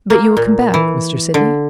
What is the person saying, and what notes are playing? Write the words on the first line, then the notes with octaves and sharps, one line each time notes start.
"But you will come back, Mr. Sydney?"
A#3
A#2
E3
D3